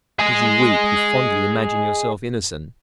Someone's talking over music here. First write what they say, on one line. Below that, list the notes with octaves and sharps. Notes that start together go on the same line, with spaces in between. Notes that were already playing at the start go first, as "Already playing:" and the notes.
Because you weep, you fondly imagine yourself innocent?
G#4 D#5